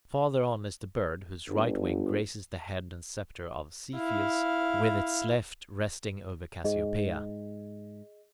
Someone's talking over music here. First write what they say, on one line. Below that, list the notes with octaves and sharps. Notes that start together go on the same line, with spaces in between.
Farther on is the Bird, whose right wing grazes the head and sceptre of Cepheus, with its left resting over Cassiopea.
G1
E4 F5
G#2 G#4 D#5